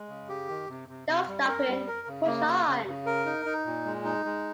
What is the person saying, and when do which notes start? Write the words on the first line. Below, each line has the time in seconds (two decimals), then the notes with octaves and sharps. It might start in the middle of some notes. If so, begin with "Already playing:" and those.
No Stopping, Push On!
Already playing: G#3
0.09 C#3
0.29 G4
0.48 D#3
0.68 C3
0.89 C3
1.08 C3
1.28 G3
1.48 A#4
1.68 G3
1.87 A#4
2.07 C#3
2.27 A#3
2.47 C#3
2.67 C#3
2.87 C#3
3.06 A#4
3.26 D#4
3.46 D#4
3.66 A#2
3.85 G#3
4.04 D#4
4.25 G#3